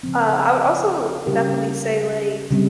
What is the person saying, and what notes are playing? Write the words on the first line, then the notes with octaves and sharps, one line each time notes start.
Uh, I would also definitely say, like,
C#3 F3 C4
C#3 G3 C#4 G4 A#4
C#3 G3 C4